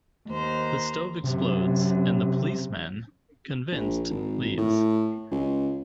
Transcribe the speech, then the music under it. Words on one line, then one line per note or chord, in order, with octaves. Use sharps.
The stove explodes, and "the policeman", convinced, leaves.
D#2 C5 A#5
F#2 C3
A#1
G#1
A2
C#2